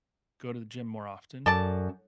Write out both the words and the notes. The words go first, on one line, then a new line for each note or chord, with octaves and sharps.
go to the gym more often,
F#2 A4 D5 A5